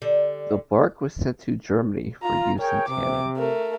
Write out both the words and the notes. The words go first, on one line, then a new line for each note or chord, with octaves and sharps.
The bark was sent to Germany for use in tanning.
D3 G3
F4 A#5
G#4 A#4 C#5 G5
C3 D6
A3 A#4